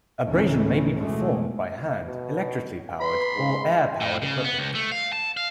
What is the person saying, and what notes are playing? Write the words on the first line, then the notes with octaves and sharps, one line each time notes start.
Abrasion may be performed by hand, electrically powered, or air powered equipment.
D2 A2 D#3 E3 A3 C#4
B2 E3 G#3 A3
B2
B4 B5 C6
G#2
A2
C#3
B3
C#2
A3
F5
A5
F5